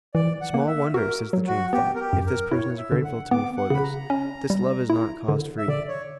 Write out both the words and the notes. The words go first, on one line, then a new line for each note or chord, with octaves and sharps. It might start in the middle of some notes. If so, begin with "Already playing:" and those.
Small wonder, says the dream thought, if this person is grateful to me for this--this love is not cost-free.
E3 D5
F#5
A#3
E5
F#4 A#4
F#3
F#4
B3 G4
A#4
G4
F#2
A#4
E4 C#5
E5
D3
F#5
B3 D6
F#5
C#3 B5
A#5
C#4
G3
E4
D3
E5
D3 D5
C#5